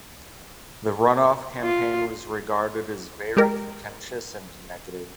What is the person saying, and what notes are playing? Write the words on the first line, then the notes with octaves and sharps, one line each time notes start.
The runoff campaign was regarded as very contentious and negative.
F4
G#3 G4 A#4